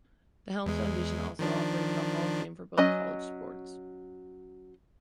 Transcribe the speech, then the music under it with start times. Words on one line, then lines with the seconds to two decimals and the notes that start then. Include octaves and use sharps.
The Helms Foundation also operated a hall of fame for both college sports.
0.66 E2 G#3
1.39 D#3 F3 D4
2.77 F#3 C#4 D#5